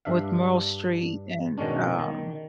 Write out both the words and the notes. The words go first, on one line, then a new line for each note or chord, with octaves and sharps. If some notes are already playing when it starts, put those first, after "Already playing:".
with Meryl Streep and um
G2 D4 E5 F5
B2 D#3 G#3 C#4 D4
D#3